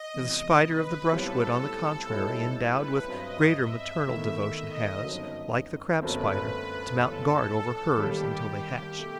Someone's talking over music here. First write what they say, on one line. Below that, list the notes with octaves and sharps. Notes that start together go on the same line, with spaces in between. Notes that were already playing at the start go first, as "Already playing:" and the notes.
The Spider of the brushwood, on the contrary, endowed with greater maternal devotion, has, like the Crab Spider, to mount guard over hers until they hatch.
Already playing: D#5
E1 E2 C3
B4
B1 A2 G3 C4 A4
A2 G3 D#4
B4
G2 F#3 C4 D#5
E5
E2 D#3 A3 E4 E5
D#5
G1 F#2 F#3 C4 D#4
G1 F#2 F#3 A3 C4 B4
G1 G2 E3 A3 A4
D#2 D#3 G3 G4
B2 A3